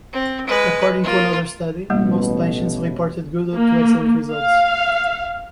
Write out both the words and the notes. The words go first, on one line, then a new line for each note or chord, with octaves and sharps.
According to another study, most patients reported good to excellent results.
C4
G#3 B4
A#3 F4
A1 B2 G3 G#3 A#3
A#3
F5